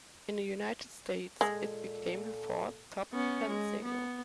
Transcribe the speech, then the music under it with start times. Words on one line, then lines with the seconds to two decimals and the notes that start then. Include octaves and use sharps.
In the United States, it became her fourth top-ten single.
1.41 A#2 G#3 A4
3.13 B3 C#4
3.48 G#3
3.84 B3